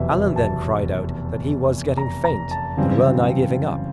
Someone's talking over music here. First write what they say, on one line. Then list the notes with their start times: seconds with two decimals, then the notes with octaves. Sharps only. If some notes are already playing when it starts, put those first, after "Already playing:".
Allen then cried out that he was getting faint and well-nigh giving up.
Already playing: F1 E2 B2 F#3 E5
0.36 A5
1.97 A#5
2.25 A#5
2.51 A5
2.77 F#2 C#3 E3 G3 C4